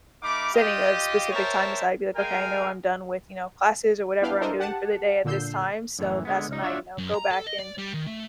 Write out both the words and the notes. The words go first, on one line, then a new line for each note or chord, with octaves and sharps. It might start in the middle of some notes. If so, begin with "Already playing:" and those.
setting a specific time aside. Be like, "Okay. I know I'm done with," you know, "classes or whatever I'm doing for the day at this time." So, that's when I, you know, go back and
A3 D#4 F5 B5 D6
F4 G4 D#5
A#4 C5 C#5 E5 G5 A5
G#3 G#4 A#4 F5 G5 G#5
B3 D4 E4 B4 F5 G5
D4 E4 A4 A#4 C5 D#5
G4 F#5 A5
A#2 D3 E6 G6 C7
F#2 A2 D3 E3
D3 G#3 B3
C#2 D#4
D4 F4 F#4 C#5 D#5 E5
F#2
A#5
A4
D#5
D5
G3
D#3
A3